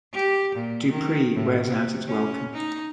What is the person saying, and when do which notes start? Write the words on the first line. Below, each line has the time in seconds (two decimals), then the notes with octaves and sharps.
"Dupree" wears out its welcome.
0.13 G4
0.55 A#2
0.89 D#3
1.34 A2
1.65 C3
2.07 C#4
2.53 D#4